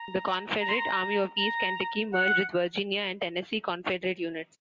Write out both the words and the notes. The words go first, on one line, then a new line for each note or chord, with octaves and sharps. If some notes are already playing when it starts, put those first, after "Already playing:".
The Confederate Army of East Kentucky merged with Virginia and Tennessee Confederate units.
Already playing: A#5
A#5
C6
A#5
A#5
F#5
F#5